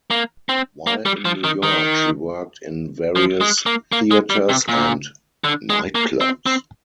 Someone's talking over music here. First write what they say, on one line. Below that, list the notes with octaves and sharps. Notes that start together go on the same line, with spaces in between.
While in New York she worked in various theaters and nightclubs.
A#3
C4
A#3
G3
F3
D#3
D#3
F3
G#3
A#3
A#3
G#3
G3
C3
A#2
D3
G#3
A#3
C4
C4